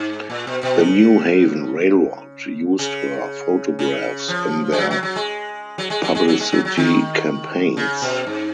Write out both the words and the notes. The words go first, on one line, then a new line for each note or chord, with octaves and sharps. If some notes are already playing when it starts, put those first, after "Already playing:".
The New Haven Railroad used her photographs in their publicity campaigns.
Already playing: G#2
A#2
B2
B2
C#3
C#3
C#3
F3
G#3
F#3
F#3
F#3
G#3
F#3
G#3
F#3
G#3
F#3
G#3
F#3
F#3
D#3
C#3
B2
G#2